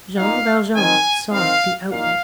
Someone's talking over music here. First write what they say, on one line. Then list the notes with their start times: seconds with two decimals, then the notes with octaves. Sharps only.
Jean Valjean saw the outlet.
0.18 A#2 A#3 D#4 F5
0.75 D#3 C4 D#4 G#5
1.32 D#3 C4 D#4 F5
1.90 A#2 A#3 D#4 F5